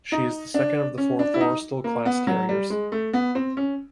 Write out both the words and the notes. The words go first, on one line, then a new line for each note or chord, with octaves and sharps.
She is the second of the four "Forrestal"-class carriers.
D#4
D4
C#4
D4
E4
D#4
A#3
B3
F#3
G3
G#3
A3
B3
C4
C#4